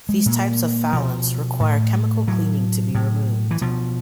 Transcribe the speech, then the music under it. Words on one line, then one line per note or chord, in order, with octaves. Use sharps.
These types of foulants require chemical cleaning to be removed.
G#3
A#2
B2 F3
A2
A2 F#3
A2
E3
B2 F3